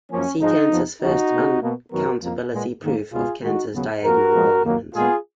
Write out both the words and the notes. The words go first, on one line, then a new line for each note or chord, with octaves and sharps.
See Cantor's first uncountability proof and Cantor's diagonal argument.
F#2 F3 A#3 C#4
G#2 F3 G#3 D#4
F2 F3 B3
D#2 C#3 F3 D#4 F#4
B2 A#3
B2 A#3
F#2 D#3 F#3 B3 F#4 A#4
F2 F3 A#3
A#2 G#3 B3
G#2 D#3 A#3
C#2 B2 G#3 B3 F4 G#4
G#2 D#3 G#3 D#4 F#4
D#2 C#3 F#3 B3
F2 F3 A#3 F#4 A#4
A#2 F3 G#3 B3
D#2 D#3 F#3 A#3
A#2 G#3 B3 F4 G#4